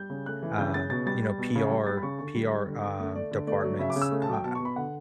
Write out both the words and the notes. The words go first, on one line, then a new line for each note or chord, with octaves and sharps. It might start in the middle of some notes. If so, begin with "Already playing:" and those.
um, you know, PR PR, um, departments. Uh,
Already playing: G3 G6
C#3
A3 F#6
E3
C#3 G6
C#3 A6
B2 A6
G3 A6
G3
B2
C#3
G3
G3 A6
B5
C#3 C#6
D3 C#6
G3
G3
D3
D3
A3
A3 D5
D3
A3 D5
F#3
C#3 E5
D6
C#3
E6
A3
A5
F#3 G5
B2 A5
B2 C#6
B5
D3 F#5